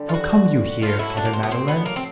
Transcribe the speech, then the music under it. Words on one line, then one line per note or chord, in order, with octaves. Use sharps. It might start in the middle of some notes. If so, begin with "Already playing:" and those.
How come you here, Father Madeleine?
Already playing: D3 G3
F4
F#4
A2 F#3 A3 F4
E4
D4
A#3
C4
B3
C4
B3
A#3
C4